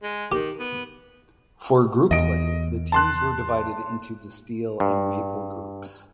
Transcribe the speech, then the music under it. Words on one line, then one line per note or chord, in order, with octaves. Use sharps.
For group play the teams were divided into the Steel and Maple groups.
G#3
D#3 G4
B3
E2 D#5 D7
A5 C6 F#6
G2